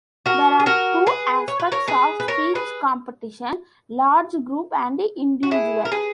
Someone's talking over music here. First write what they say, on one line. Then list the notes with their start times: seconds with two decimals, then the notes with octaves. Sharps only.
There are two aspects of speech competition: large group and individual.
0.26 F#4 A#4
0.60 G#4
0.66 F#4 A#4
1.07 G#4 B4
1.48 C#5
1.60 B4
1.72 A#4 C#5
1.88 G#4 B4
2.20 B4
2.28 A#4 C#5
2.55 G#4 B4
5.43 F#4
5.51 E4 G#4
5.85 A#4
5.92 G#4 B4